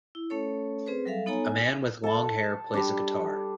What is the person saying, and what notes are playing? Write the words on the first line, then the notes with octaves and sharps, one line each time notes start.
A man with long hair plays a guitar.
E4
A3 C#4 A4 C#5
C4 G#4 B4 C5
F#3 G3 A4 E5 F5
B3 D#4 A4 C#5 G#5 A#5
G#5
A4 A5
G3 D4